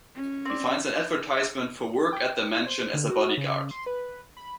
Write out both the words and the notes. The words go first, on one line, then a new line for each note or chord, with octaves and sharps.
He finds an advertisement for work at the Mansion as a body guard.
C#4
C4 D5
G5
E4
C5
D3
F#4
C#3
C6
B4
B5